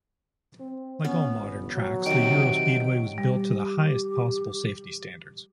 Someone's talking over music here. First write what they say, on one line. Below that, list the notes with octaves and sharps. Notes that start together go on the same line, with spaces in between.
Like all modern tracks, the EuroSpeedway was built to the highest possible safety standards.
C4
B3 C#4
G1
F#3
C3 D#3 D7
G3 G4